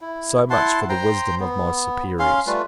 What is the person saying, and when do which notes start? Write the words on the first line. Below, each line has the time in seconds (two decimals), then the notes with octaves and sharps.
So much for the wisdom of my superiors.
0.01 E4
0.50 E4 F#5 A5 C6
0.89 C5 G5 A#5 C6
1.40 B3
2.19 C#4 F5 C6
2.47 G3 A3 F4 B4